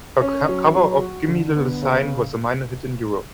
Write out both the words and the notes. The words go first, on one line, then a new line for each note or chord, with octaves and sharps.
Her cover of "Gimme Little Sign" was a minor hit in Europe.
C#4
F#3
F#3
F#4
D3
B3
C#3